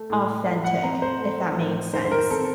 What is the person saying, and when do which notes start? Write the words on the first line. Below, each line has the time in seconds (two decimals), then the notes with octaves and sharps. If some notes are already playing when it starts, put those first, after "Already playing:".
authentic if that made sense.
Already playing: A3
0.10 A2
0.47 A2
0.65 F#5
0.83 C4 A#5
1.02 C5
1.20 A3
1.57 A2
1.93 D#3 C5
2.05 C5
2.11 A#4
2.30 C4 A4